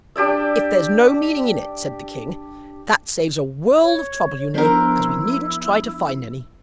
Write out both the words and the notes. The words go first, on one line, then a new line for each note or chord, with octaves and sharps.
'If there's no meaning in it,' said the King, 'that saves a world of trouble, you know, as we needn't try to find any.
D4 G4 D5 E5
C#5
F3 B3 D4 E4 A#4 C5